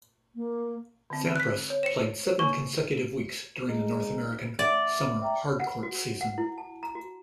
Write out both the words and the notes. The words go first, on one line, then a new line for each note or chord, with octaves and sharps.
Sampras played seven consecutive weeks during the North American summer hard-court season.
A#3
D3 C4
F#6 B6
C#5
C5 C#7 E7
A#3 E4 C#5 C#6
G#3 D#4
D5 E5 F#5
E5 G5 A#5
F#5
F#4
F#5
E4
A5
A#5
F#4